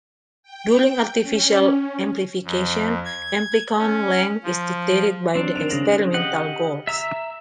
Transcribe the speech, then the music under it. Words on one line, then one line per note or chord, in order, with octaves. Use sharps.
During artificial amplification, amplicon length is dictated by the experimental goals.
G5
C#4
F2
G#6
C#4
F3
F#3 C4 D4
D#3 D7 F7
C#3 A#6 F#7
G4 D#5 F#5
E5 A#5 E6